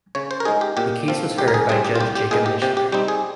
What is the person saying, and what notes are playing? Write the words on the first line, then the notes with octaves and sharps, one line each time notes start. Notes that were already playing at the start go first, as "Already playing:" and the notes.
The case was heard by Judge Jacob Mishler.
C#3 C#5
C5
A#4
G#3 D#4 G#4
G4
A#2 G4
F3 C4 F4
C#2 G4
A#4
G#4
C3 G3 C4 G#4
G4
F4
C2 G4
G4
A#2 G#3 D#4 G#4
G4
C3 G4
G4
G3 C4 D#4 G4
G#4